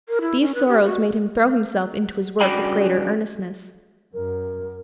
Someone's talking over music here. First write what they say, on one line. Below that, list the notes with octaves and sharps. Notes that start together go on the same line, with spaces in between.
These sorrows made him throw himself into his work with greater earnestness.
A#4
E4
C#4
B4
G4
F#4
G2 C#3 F#4 D5 G5 B5
F#2 A#4